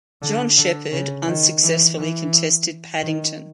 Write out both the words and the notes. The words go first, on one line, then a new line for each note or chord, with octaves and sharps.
John Shepherd unsuccessfully contested Paddington.
D3
D3
C#3
D#3
E3
E3
D#3